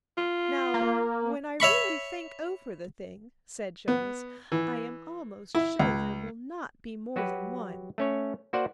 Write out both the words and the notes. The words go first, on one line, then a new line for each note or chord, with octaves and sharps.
'Now, when I really think over the thing,' said Jonas, 'I am almost sure there will not be more than one.
F4
A#3
C#5 E5 B5 C#6
B3
E3
E4
C#2
F#3 F#4 G4 B4
A3 C#4 C#5
A#3 F#4 C5 D5 F#5